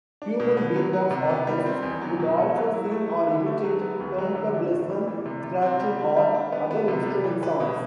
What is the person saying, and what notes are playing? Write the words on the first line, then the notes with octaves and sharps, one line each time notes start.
"Human Beatbox" artists would also sing or imitate turntablism scratching or other instrument sounds.
D4
B2
B3
F#3
F#4
C3
B3
G3
C4
E2
F#3
B2
A4
F#3
E4
A3
E4
D3
A3
F#3
B3
D2
F#3
D3
D4
A2
G3
E3
C3
C3
C4
G3
G3
G3
D4
B3
B3
C3
G3
E3
B4
B2